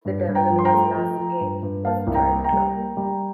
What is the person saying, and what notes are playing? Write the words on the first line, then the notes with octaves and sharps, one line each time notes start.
The developer's last game was "Driveclub".
G2
G2
G5 A#5
F3
C6
G5 A#5
A3
F3
F3
G2
G2
A#3 F5 A5
C2
G5 A#5
A#3
G5 A#5
G3
A#3
G3